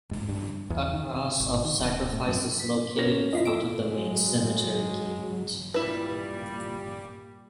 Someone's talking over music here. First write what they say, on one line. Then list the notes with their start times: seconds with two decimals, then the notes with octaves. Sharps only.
A Cross of Sacrifice is located in front of the main cemetery gate.
0.11 G#2
0.29 G2
0.70 E2
0.94 D#3
1.16 C3
1.40 G#1
1.65 D#3
1.80 D1
2.13 A2
2.28 F#2
2.60 B6
2.97 A#3 C#4 A#6
3.33 F2 E4 F4 D#5
3.45 A4 E6 D7
3.87 F#3 G#3
5.74 A#2 G3 E4 B4